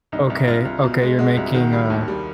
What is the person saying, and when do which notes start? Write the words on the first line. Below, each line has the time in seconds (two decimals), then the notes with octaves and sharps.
okay, okay, you're making a
0.12 C2 D#4
0.30 C2
0.47 C2 F4
0.65 C2
0.84 B2
1.01 G#3
1.19 G#3 F#4
1.37 C2
1.54 D#3 F#4
1.72 G3
1.90 D#2
2.08 G3